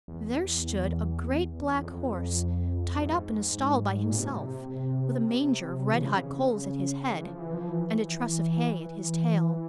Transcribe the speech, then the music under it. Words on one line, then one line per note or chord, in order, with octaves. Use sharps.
There stood a great black horse tied up in a stall by himself, with a manger of red-hot coals at his head and a truss of hay at his tail.
E2
E2
F2
G#2
A#2
C3
E3
C#3
C3
C#3
E3
F3
E3
F3
E3